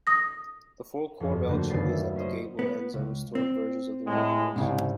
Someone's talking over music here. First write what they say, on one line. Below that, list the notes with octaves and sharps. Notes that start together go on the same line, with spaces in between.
The four corbelled chimneys at the gable-ends are restored versions of the originals.
D#6 A#6
G1 F2
D3 A3 A#3 F#4 G4
F#1 D#2 B4 A6 C7
E5
C#4 C5 D#5
B3
C#2
C4
A2 G#3
C2 G#2 C#3